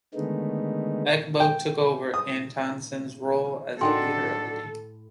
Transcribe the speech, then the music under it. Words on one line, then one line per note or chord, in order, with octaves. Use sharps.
Eckbo took over Antonsen's role as the "leader" of the team.
D3 D#3 G#3 A3 B3 D#4
G5
D#6
A2 D4 D#4 F#4 A4 G5 G#5 C6